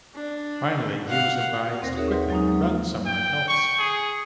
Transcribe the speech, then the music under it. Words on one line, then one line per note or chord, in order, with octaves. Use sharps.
Finally, he was advised Quickly, run somewhere else.
D4
F5 F#5
D#2 C4 C5 A#6
D#4 F#4 G#4 A#4 C#5 E5
B4 F#5 C6
F#3 G#3 A#3 C#4 D#4
F#3 A#3
F4
G5
C#6
G#4